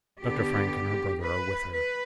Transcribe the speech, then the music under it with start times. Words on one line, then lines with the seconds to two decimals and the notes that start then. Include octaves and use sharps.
Dr. Frank and her brother are with her.
0.23 D3 B3 G4
1.23 B4
1.74 B4